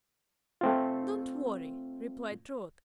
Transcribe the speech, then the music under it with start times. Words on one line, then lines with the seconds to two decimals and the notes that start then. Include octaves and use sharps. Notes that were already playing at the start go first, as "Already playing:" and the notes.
"Don't worry," replied Trot.
0.61 A3 C4 F4